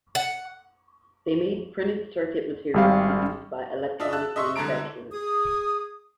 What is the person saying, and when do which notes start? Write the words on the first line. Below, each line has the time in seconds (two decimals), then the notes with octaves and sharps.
They made printed circuit materials for use by electronics manufacturers.
0.15 F#5
2.74 G#1 G3 F5
4.00 D4 F4 D#5 E5
4.12 A5 E6 F#6
4.36 D#5 E5 C6 C#6 E6
4.56 C2 D3 G#3 A4 A#5 D7
5.13 G#4 D#6